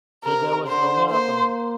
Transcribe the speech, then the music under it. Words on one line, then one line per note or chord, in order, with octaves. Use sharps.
So there was no miracle?
C3 A#4
D3 C5
A#3 C5